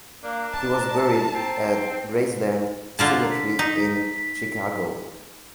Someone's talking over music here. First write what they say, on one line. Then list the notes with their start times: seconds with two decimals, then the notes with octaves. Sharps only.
He was buried at Graceland Cemetery in Chicago.
0.24 A#3 D4
0.52 A5 A#5
1.35 C4
2.99 D3 F4 A5 A#5
3.31 B6
3.59 D#4